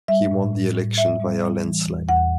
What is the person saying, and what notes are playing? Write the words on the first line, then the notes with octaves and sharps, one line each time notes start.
He won the election via landslide.
G3 E5
A2
A2
A2
A2 E5
G3
G3
E3
E2
E2 F#5